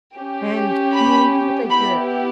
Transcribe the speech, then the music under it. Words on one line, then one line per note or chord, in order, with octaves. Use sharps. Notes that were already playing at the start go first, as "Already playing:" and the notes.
And, I mean, even with, like, the
C#4 G4
B5
B3 E4 G4 B5